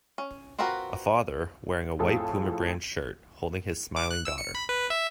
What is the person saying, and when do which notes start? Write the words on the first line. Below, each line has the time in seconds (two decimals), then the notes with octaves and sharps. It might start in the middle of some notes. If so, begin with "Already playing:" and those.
A father, wearing a white puma brand shirt, holding his smiling daughter.
0.18 C#4
0.59 C4 F4 F#4 A#4 B4
1.99 F2 A2 F4 G#4 A4
3.96 D6
4.11 F#6
4.25 E6
4.38 C#7
4.55 B5
4.69 B4
4.90 E5